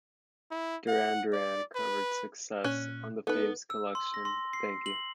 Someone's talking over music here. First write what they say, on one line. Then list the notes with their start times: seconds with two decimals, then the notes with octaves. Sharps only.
Duran Duran covered "Success" on the faves collection "Thank You".
0.51 E4
0.88 F#5
1.33 D5
1.75 B4
2.64 A#2 C#4 F#6
3.27 B3 D#4 A4 B4
3.70 E6
3.95 C6
4.14 A#6
4.25 C6
4.53 C7
4.86 F#7